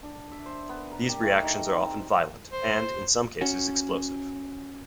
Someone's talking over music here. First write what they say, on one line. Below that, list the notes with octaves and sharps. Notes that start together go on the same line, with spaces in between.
These reactions are often violent, and in some cases explosive.
D4
E5
C5
B3
A#4
G4
A3
D#4
A#5
C4
C5
C#4 F#4